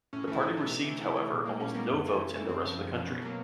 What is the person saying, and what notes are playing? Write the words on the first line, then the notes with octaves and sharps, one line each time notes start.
The party received, however, almost no votes in the rest of the country.
A2 C#4
E3 A3 E4
A2 D#4
E3 A3
C3
E3 A3
C3 E4
E3 A3
A#2
G3 A#3
A#2 C#4
G3 A#3 B3
F#2 B3
C#3 E3 A3
F#2
C#3 E3 A3
F#2 C4
C#3 F3
F#2
C#3 F3
B2
F#3 A#3